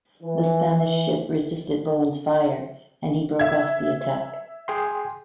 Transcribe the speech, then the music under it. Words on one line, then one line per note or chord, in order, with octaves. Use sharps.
The Spanish ship resisted Bowen's fire, and he broke off the attack.
E3
E5 G#6
G#4 G5 C6